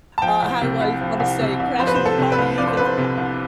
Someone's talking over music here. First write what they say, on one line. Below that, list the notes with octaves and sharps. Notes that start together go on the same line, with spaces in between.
uh, how do I wanna say- crashing the party either.
A5
F3 G5
C2
C3
C2
F3
C2
C3
C2
F3 C5
B4
C5
C2
A4
C3
B4
C2
F3 D5
C5
C2 B4
C5
C3
C2